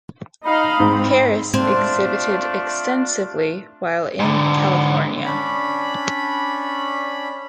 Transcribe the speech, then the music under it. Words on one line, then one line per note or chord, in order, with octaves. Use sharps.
Paris exhibited extensively while in California.
D#4 D#5 F5 B5
G#2 C4
A3 C4 D4 F4
G#2 D3
C#4 D4 B5